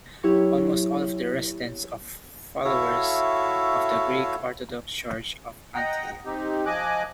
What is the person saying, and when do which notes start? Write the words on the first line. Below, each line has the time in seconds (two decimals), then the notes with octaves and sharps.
Almost all the residents are followers of the Greek Orthodox Church of Antioch.
0.24 F#3 E4 G4 C#5
2.64 E4 F#4 A4 C#5 E5 F5
5.75 D#5 F#5 G5 A#5
6.25 C4 D#4 G4
6.66 F3 D#5 G#5 D6 F#6